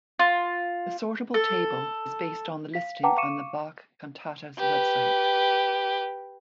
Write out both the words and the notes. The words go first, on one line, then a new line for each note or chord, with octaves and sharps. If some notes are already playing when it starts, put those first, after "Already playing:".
The sortable table is based on the listing on the Bach Cantatas website.
F4
A4
F5 B6
B4 F#5 G5 A5 A#5 D6
F5 C#6 D6 C#7 D#7 E7
G4 B4